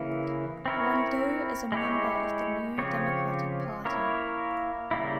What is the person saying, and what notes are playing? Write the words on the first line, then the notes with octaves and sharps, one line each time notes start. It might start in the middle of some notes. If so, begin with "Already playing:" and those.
Rondeau is a member of the New Democratic Party.
Already playing: C#3 E3 A#3 E4
C4 E4 A#4 C#5
G#3 E4 G4 C#5
C#3 F3 C4 G4 C#5
A#3 E4 A#4 C#5
C#3 G3 A#3 E4